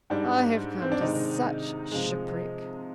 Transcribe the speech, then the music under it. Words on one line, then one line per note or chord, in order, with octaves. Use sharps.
I have come to such shipwreck!
G#2 G3 D4
C4
D4
C3 D#3 G#3 D#4
C3 F3 G#3